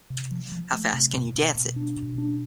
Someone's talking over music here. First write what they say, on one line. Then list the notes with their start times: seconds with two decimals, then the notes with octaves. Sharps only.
How fast can you dance it?
0.10 C3
0.31 F3
0.52 F3
0.73 A3
0.94 C3
1.14 B2
1.35 B2
1.55 B2
1.76 D4
1.97 B2
2.18 D4